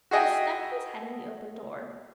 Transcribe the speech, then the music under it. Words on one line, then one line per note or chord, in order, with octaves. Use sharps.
He stuck his head in the open door.
F#4 G#4 D#5 E5 G5